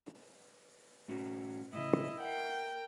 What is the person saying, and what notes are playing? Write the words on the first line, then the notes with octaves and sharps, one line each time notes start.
The film received a mixed response from critics.
A2 C#4 F#4
A2 C#3 E4 D#5
A#4 E5 F#5 G5